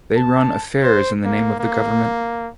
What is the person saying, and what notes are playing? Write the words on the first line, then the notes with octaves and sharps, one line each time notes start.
They run affairs in the name of the Government.
A5
C5
A#3
A#3